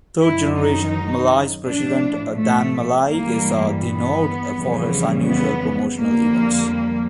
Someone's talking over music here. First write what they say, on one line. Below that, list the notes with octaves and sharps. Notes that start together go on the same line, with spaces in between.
Third generation Malley's president, Dan Malley, is renowned for his unusual promotional events.
F#2 D#3 F#3 E4
D#4
A2 F3 D4
A3
G2 E3 G3 A#3
B3
F2 C#3 E3 G3
B3
F2 D3 G3 A#3